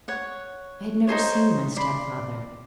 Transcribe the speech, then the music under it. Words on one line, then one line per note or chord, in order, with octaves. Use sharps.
I had never seen my stepfather.
C#5 F#5
D#4 G#4 C5 C#5
D5 B5 C6